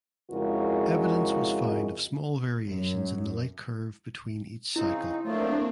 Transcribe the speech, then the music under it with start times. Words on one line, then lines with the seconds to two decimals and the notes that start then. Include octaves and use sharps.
Evidence was found of small variations in the light curve between each cycle.
0.31 F2 C#3 G#3 E4 F#4 A#4
2.68 F#2
4.76 C#3 C4 D#4 E4
5.24 F3 F#3 A3 A#3 C4 D4 F4